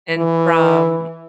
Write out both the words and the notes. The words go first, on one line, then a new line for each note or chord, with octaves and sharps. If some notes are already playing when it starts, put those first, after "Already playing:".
And from
E3